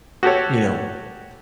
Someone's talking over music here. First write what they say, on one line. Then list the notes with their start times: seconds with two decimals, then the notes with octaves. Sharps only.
you know,
0.23 F#4 G4 A4 C#5